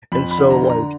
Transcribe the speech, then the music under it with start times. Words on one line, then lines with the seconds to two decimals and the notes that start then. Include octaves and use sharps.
and so, like,
0.12 F2 B5
0.31 B5
0.38 D3
0.50 A#5
0.64 D3
0.70 A#5